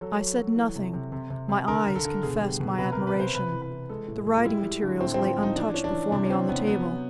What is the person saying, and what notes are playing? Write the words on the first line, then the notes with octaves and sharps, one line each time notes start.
I said nothing; my eyes confessed my admiration; the writing materials lay untouched before me on the table.
F#3 A4
F#3
F#3
E3
C3
C3
C3
C3
C3
D3 A#4
D3
A4
D3
B2 G#4
G3
B2
C3 B4
A#4
C3
B4
C3 C5
C3 B4
E3
B4
E3
G#3 A4
A2
G#3
F4
G3 E4
G3
D3
A2 C4
C4
F3
F3 D#4
E3 D4
E3 C#4
D4
E3
C3 D4
C#4
E3 C4
C3 B3
F#3 B3
F#3